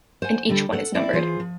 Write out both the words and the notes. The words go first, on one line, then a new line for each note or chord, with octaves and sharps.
And each one is numbered.
C5 F#5 G#5
D2 D3 G3 A4
A4 F#5
C4 E4 D5
E3 F4 G#4 C5
F3